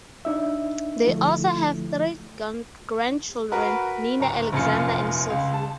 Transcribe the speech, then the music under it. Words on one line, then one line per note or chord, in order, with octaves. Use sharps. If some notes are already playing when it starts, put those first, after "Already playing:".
They also have three grandchildren Nina, Alexander, and Sofia.
D4 D#4 E5
D3 F3 A3 E4
F#4 A#4 B4
D1 A#5
F1 A#1 F#2 F4 C#7
C#2
A5